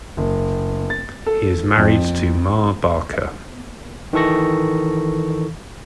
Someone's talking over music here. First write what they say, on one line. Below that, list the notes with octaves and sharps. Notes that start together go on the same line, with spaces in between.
He is married to Ma Barker.
F#1
A6
A4
F2
D#3 E3 A4 C#6 A#6